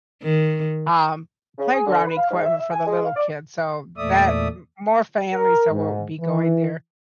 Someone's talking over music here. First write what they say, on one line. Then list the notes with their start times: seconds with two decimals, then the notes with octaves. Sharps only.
um, playground equipment for the little kids, so, that m more families that will be going there.
0.23 D#3
1.58 C#3
1.74 G#4
1.87 D3
2.05 B4
2.17 F5
2.31 G#2
2.45 E5
2.57 E5
2.72 G#5
2.86 G#3
3.05 F5
3.16 D5
3.97 E2 A#2 A3 D5 E5 D#6
5.35 A#4
5.71 G#2
6.21 E3